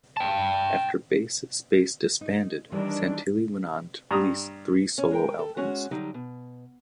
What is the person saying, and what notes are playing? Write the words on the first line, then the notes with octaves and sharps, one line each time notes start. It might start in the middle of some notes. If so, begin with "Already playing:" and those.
After Bass is Base disbanded, Santilli went on to a release three solo albums.
G5 A5
D#4
D#3 E3 G3 D4
G2 A#5 D#6
C#4
G#3 A#4 G5
A4
G#3 C#4 F#4
D3 F#3 G3 D#4
B2